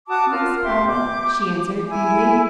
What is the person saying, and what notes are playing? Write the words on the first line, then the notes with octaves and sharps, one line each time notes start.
"Yes, papa," she answered feebly.
F#4 A5 D6 D#6
F4 A#4 F6
G4 E5 C6 D6
D6 G6
E4 G#5